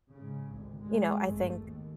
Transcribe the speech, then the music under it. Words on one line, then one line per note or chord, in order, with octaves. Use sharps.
you know, I think
G#2 C#3
G#1 D2
G#3
G#1 G2 A3
D#2